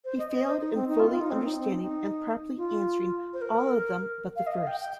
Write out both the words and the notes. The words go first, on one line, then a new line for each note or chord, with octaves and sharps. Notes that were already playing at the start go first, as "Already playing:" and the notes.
He failed in fully understanding and properly answering all of them but the first.
C5
D#5
D#5
C5
D#4
C4
D#4
F4
F4
D#4
C4
D#4
C4
D#4
F4
C5
A#4
F5
D#5
F5
G5
G5